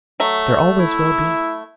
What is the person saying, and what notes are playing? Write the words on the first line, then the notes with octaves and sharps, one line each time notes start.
"There always will be."
F#3 A3
E4